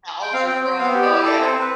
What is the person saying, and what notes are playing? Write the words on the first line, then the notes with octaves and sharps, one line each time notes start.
Algebra, oh yeah,
G5
C4 F5
C4 G5
C4 G5
B3 F5
G4
D5
E4
A4 D5
C4
C5
C4
B4